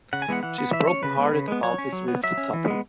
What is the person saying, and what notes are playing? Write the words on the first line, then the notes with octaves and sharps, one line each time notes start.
She's broken-hearted about this rift, Tuppy.
C#3 F#5
G#5
E3 G#3 B3 F#5
E3 F#5
B3
E3 E5
C#4 C#5
C#3 B4
G#3 B3
C#3
G#3 B3
F#3 C#5
C#4
F#3
B3
F#3 E5
C#4
E3
G#3 B3